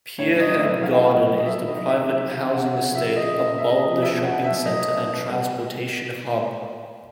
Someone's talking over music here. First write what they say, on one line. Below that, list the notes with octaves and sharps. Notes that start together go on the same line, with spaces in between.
Pierhead Garden is the private housing estate above the shopping centre and transportation hub.
A2 C#5
F#3
D#5
A2
E5
F#3
F#3 F5
G5
F#3
F#5
F#3
F#3
D#5
F#3 E5
D#3
D#5
F#3
D#3 E5
C3 E5
C3
F5
C3
C3 F#5
C#3 F#5
F3 E5
C#3
C#3 D#5
C#3 D#5
C#3 E5
C#3 D#5
F3
B2 E5
B2
F#5
B2
E5
F#3
F#3 D#5
B2
B2
B2
G3 F#5